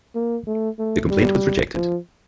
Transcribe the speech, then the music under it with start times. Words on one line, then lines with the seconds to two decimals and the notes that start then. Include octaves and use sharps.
The complaint was rejected.
0.15 A#3
0.47 A3
0.79 A3
1.11 G3
1.75 F3